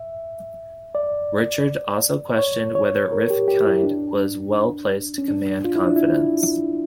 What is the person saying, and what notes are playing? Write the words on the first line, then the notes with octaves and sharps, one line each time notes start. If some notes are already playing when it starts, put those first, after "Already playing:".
Richards also questioned whether Rifkind was well-placed to command confidence.
Already playing: E5
D5
C#5
C#5
A#4
G4
G4
E4
D4
C#4
D4
F4
E4
D4
E4